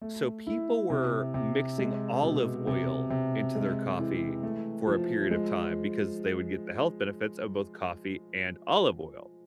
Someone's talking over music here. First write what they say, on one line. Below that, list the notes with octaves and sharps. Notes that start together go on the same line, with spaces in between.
so people were mixing olive oil into their coffee for a period of time, because they would get the health benefits of both coffee and olive oil.
A3
E4
C3
C3
G#3
B2
C3
C3
G#3
E3
A3
F3
G#3